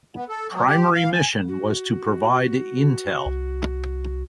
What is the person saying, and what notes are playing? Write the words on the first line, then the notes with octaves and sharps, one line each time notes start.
Primary mission was to provide intel.
B3
A4
F#3
G4
F5
G#5
F#4
C2